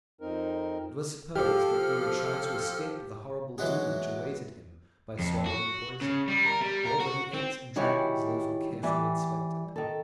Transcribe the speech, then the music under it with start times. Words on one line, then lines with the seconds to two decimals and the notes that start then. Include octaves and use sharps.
It was supposed that he would try to escape the horrible doom which awaited him by swallowing poison. All that he ate and drank was therefore carefully inspected.
0.21 F2 C4 D#4 A#4
1.35 F3 G4 A4 F6
3.58 E3 F#3 G#3 F#4 G#4
5.19 F2
5.46 F#4
6.02 C#3
6.28 G3
6.46 A#4
6.61 G3
6.86 A#4
7.00 F#4
7.33 C4
7.76 D#3 G3 E4 F#4 C#5 G#5
8.83 E3 G3 E5
9.76 D#3 A4